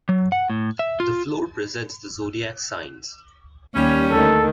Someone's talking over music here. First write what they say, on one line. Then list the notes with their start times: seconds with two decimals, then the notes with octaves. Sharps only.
The floor presents the zodiac signs.
0.09 F#3
0.32 F#5
0.50 A2
0.79 E5
1.00 F4
3.75 D#2 G3 C#4
4.11 D2 D#3 A4